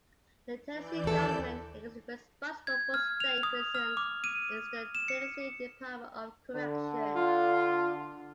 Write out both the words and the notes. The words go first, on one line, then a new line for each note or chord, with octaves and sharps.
The Tennessee government agency responsible for state prisons is the Tennessee Department of Correction.
E3 D5 G6
D#2 A4
G#6
F6
F7
D#6
F6
D6
D#7
E7
C#7
D3
F4